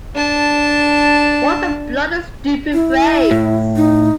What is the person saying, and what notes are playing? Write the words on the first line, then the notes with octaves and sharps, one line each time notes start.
What a bloody stupid phrase.
D4 A5
E4
A2
D#4